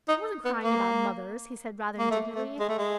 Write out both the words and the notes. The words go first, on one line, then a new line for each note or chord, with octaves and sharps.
"I wasn't crying about mothers," he said rather indignantly.
D#4
B3
A#3
A#3
A3
A3
G#3
A3
G#3